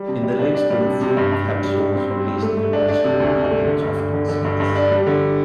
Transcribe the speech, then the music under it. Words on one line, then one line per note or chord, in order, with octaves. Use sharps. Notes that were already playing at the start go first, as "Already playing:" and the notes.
In late spring fruit capsules release numerous small cotton-tufted seeds.
Already playing: G3
C3
G3
D4
D4
G3
C3
C3
G2
G2
G2
G3
G2
C4
C4
G3
A3
A3
D4
D4
C3
D2
C3
A3
D3
G2
G2
D3
D3
G2
G2
D4
G3
D3